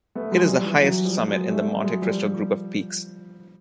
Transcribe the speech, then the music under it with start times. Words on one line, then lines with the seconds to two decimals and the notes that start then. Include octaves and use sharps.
It is the highest summit in the Monte Cristo group of peaks.
0.15 A3 B3
0.31 F#3 G#3
0.49 F3 G3
0.66 E3
0.83 E3 F#3
1.05 F3 G3
1.28 F#3 G#3
1.50 G3 A3
1.67 G3 A3
1.84 F#3 G#3
2.02 F3 G3